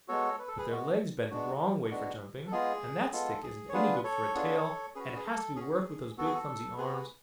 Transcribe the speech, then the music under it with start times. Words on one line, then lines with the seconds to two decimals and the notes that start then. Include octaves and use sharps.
But their legs bend the wrong way for jumping, and that stick isn't any good for a tail, and it has to be worked with those big, clumsy arms.
0.08 G#3 B3 F#4 A4 C#5
0.39 B4
0.48 A4
0.58 G#4 B4
0.68 G#3 B3 F#4
1.31 G#3 B3 D4 F#4
1.91 G#3 B3 D4 F#4
2.47 A4
2.52 G#3 B3 F4 G#4
3.12 G#3 B3 F4 A4
3.43 G#4
3.69 C#5
3.73 B3 D4 F4 G#4 B4
4.04 A4 C#5
4.34 B3 D4 F4 G#4
4.95 C#4 F#4 G#4 B4
5.16 G#4
5.26 A4
5.56 C#4 F#4 G#4
6.18 B3 F#4 A4
6.26 G#4
6.34 A4
6.78 B3 F#4 G#4 B4